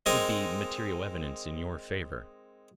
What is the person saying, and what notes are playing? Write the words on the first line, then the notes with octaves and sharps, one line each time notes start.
It would be material evidence in your favor.
G#3 C4 D#4 A#4 G#5